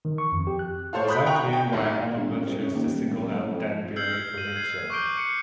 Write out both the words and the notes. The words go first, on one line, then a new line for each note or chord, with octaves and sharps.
It was unclear why Oliver chose to single out Danbury for mention.
D#3
C#6
F2
G4
F#6
F4 A4 C5 C#5 F5
B5 D#6 F#6 G6 B6
F#5 G5 A#5 C#6 D#6 F#6
G5
B1 G#2 D#3
G1
C#3
C2
C#3
D#2
D#1
E1
F#1
A2
F2
E6 F6 G6 G#6 C7 F#7
D#7
F#6 G#6 C7
C#6 D6 F#6 G6 D7 G7
F#6 C#7